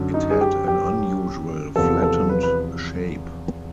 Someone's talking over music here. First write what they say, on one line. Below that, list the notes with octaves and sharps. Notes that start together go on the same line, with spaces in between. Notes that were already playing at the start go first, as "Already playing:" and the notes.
It had an unusual, flattened shape.
Already playing: F#2 D3 F#3
D#4
G#4
G4
G4
E2 C3 F3 A4
A4
B4
B4